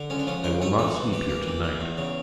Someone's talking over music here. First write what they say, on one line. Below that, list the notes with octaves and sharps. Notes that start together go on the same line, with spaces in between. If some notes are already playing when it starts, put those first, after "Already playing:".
I will not sleep here tonight.
Already playing: D3
C#2 C#4
D4
F3 C#4
C#3 A#4
A3 C#5
E3 A4
E3
E3 G4
A#3
E3
E3
E2
C#3